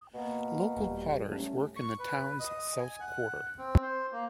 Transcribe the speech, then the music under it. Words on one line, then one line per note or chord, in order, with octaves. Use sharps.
Local potters worked in the town's south quarter.
B2 A#3
D#1 G3
F#3 A3 C#4
C#6
B4
D#5
G#5
F#5
C4
C5
A#3